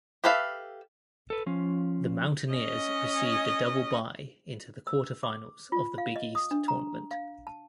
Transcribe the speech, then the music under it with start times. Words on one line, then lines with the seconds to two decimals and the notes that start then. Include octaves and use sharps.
The Mountaineers received a double-bye into the quarterfinals of the Big East Tournament.
0.24 G4 A4 B4 E5 F5
1.30 A4 B4
1.46 F3 C#4 F4
2.53 C#4 D#5
4.87 E6
5.23 D6
5.72 F4
5.98 F5
6.16 D#5
6.35 D#6
6.51 D4
6.68 A#5
7.11 F5
7.47 A5